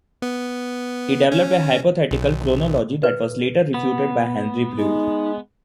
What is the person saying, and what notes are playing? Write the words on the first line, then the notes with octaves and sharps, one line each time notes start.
He developed a hypothetical chronology that was later refuted by Henri Breuil.
B3
C#4
B1
B4
B3
G#3 D#4